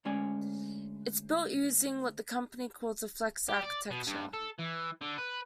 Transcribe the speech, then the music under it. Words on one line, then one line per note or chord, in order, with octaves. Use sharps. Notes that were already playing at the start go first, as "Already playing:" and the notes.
It's built using what the company calls a "Flex architecture".
D2 G#3 C#4 D5 G#5
G4
D5
B2
G2
A4
E3
D3
B4